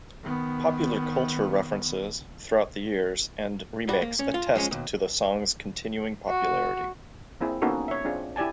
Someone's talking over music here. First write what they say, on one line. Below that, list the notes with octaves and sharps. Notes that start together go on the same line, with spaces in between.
Popular culture references, throughout the years and remakes attest to the song's continuing popularity.
D#3 B3
G3 F#4
A#3
C#4
F4
F3 G#3 C#4
D#2 B2
F#4
A#3 C4 E4 G#4
A#3 B3 C#4 D#4 F#4 A4
C#5 E5
C4 D4 F4 G#4
E4 G4 D5 G#5 A5